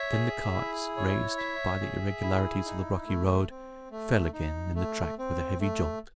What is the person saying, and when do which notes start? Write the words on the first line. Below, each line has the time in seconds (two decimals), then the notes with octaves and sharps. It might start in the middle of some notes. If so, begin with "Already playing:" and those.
Then the carts, raised by the irregularities of the rocky road, fell again in the track with a heavy jolt.
Already playing: C#5 E5
0.12 G#4
0.54 E4
0.97 C#5
1.38 E5
1.81 G#4
2.22 E4
2.65 D#4
3.07 A3
3.50 C4
3.91 A3
4.33 D#4
4.75 A3
5.18 C4
5.60 A3